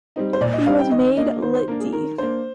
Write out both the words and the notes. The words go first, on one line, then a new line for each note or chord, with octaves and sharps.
He was made Litt.D.
G3 C4 D#4
C5
A#2 D5
D#5
G3 C4 D#4 F5
G5
D#3 D#5
A#3 D4 D#5
D#3 C5
C5
A#3 D4 A#4
G#4
D#3 A#4
A#3 D4 C5